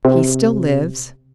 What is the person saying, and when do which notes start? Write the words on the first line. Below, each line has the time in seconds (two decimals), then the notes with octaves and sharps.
"He still lives."
0.05 C3